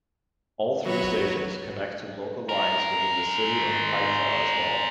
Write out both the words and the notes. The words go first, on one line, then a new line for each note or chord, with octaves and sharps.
All three stations connect to local lines within the city of Haifa as well.
F#3 B4 C#5
G#3 A#4